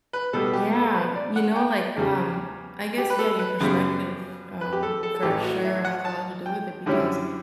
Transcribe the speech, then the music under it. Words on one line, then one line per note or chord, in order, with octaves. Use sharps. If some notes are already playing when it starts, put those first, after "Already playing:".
Yeah, you know, like, um, I guess, yeah, your perspective, um, for sure has a lot to do with it, because,
B4
B2 G3 B3 A4
G4
A4
B4
D5
F#5
G5
E2 C#3 G3
G4
B4
A4
B4
F#2 C#3 G3 B3
B4
G4
A4
A4
A4
A1 A2 E3 A3 G4
F#4
E5
F#5
A5
G5
F#2 D3 G3 C#4 E4